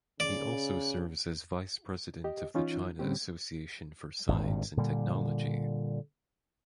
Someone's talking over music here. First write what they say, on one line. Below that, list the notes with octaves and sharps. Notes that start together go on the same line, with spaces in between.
He also serves as Vice President of the China Association for Science and Technology.
C#3 D5
G4 D#5
E3 C#4 D#4 F4
A2 D3 G3 C4 C#4 G4
G#1 G2 A#2
A#2 D3 G3